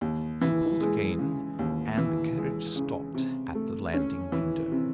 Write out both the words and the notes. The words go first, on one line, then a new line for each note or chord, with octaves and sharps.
He pulled again and the carriage stopped at the landing window.
D#2
E3
G#3
C#3
D#2
E3
G#3
C#3
C3
A3
C#4
E3
C3